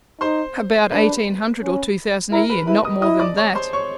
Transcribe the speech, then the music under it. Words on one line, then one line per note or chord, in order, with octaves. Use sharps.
"About eighteen hundred or two thousand a year; not more than THAT."
D#4 C5 C6
D4 B4 B5
C#4
E4 A#4 A#5
B4 B5
E4 B4 B5
D#5 D#6
E4 D#5 D#6
D5 D6
C#5 C#6
C5 C6
C#5 C#6